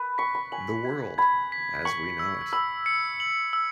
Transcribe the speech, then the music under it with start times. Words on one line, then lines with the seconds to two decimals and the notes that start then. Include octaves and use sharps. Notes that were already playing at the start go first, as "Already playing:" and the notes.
The World as we know it.
Already playing: B4
0.18 C#6 B6
0.35 B5
0.52 G#5 F#7
0.85 G#6
1.18 B5 G#6
1.52 B6
1.85 C#6 F#7
2.19 E6
2.52 B5 E6
2.86 C#7
3.20 F#7
3.53 E6